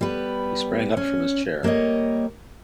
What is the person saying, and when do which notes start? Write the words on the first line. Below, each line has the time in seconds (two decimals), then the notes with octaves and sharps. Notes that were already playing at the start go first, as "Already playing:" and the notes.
He sprang up from his chair.
0.01 G3 B3 B4
0.97 C#4
1.63 G3 A#3 A#4 C#5 D#5